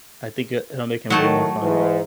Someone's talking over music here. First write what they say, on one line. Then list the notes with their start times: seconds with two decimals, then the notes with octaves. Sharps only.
I think it it'll make him way more fun.
1.10 A2 D#3 F#3 A3 A5
1.62 G#2 E3